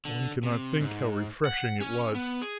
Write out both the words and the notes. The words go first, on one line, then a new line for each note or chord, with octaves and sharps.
One cannot think how refreshing it was.
D3
C3
G#2
F#5
C#4
B3
G#4